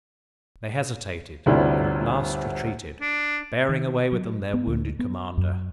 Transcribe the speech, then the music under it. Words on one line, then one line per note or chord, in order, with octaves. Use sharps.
They hesitated, and at last retreated, bearing away with them their wounded commander.
G1 D2 C3 D4 E4
D4
D#3
F#3
B3
D2
B3
F#2